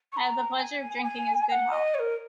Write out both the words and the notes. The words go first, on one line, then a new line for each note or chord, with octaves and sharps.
I have the pleasure of drinking his good health.
C#6
A#5
G#5
G#5
G#5
F#5
D#5
C#5
A#4